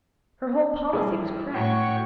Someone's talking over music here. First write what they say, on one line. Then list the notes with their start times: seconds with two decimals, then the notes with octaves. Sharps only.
Her whole policy was cracked.
0.93 G2 E4 G#4
1.55 A2 F#4 C#5 G5 C#6